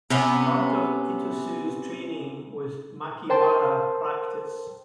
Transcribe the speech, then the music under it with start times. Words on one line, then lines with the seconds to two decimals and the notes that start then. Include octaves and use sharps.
Part of Itosu's training was makiwara practice.
0.10 C3 B3 C#4
3.29 A#4 C5 G5 A5 C6